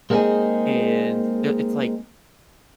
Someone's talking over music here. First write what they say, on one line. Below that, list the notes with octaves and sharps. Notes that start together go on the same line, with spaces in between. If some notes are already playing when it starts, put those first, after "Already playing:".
and they'll it's like,
G#3 A#3 C4 C#4 D#4 G#4